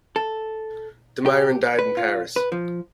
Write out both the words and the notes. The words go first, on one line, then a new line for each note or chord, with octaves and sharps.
Damiron died in Paris.
A4
G4
B4
F4
B4
F3